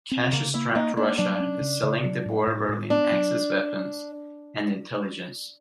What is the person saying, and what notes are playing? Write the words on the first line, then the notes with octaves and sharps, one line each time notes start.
Cash-strapped Russia is selling the Boer-Berlin Axis weapons and intelligence.
C4
C#3 A#3
A#3 E4
A#3 D#4
A#3 D4
F#3 D4
C#4
C#3
C#3
F#3
A2
A2
A2
B3 D4
F#3